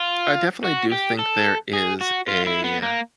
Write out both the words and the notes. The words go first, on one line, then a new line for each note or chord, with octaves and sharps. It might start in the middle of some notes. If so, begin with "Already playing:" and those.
I definitely do think there is a, uh
Already playing: F4
F#4
G4
A4
G#4
F#4
F4
E4
B3
A#3